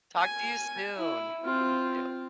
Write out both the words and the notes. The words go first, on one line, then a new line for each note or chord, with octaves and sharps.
Talk to you soon. You too.
G#5
E4
C4 F4